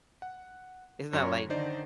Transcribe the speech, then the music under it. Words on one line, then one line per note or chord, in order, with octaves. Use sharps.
It's not like,
F#5
F#2 C#5
D3 D#3 D#4 C5 D5